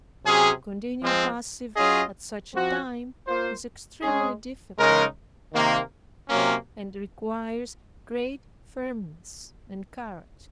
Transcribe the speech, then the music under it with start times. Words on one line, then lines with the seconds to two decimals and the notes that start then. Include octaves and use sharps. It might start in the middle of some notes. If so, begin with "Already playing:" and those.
To continue passive at such a time is extremely difficult, and requires great firmness and courage.
0.25 C3 F#3 C#4 G#4
1.01 F3 G#3 C4
1.76 F#3 C#4 F4 G#4 D#5
2.52 F3 C4 F#4
3.26 A#3 F4 C5
4.02 G#3 C#4 G#4
4.77 C#3 G#3 D#4 A#4
5.53 C3 D#3 A#3
6.28 C3 F#3 A#3 C#4